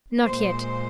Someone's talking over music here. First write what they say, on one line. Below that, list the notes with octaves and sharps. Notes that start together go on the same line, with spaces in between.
"Not yet."
A#2 G#3 C5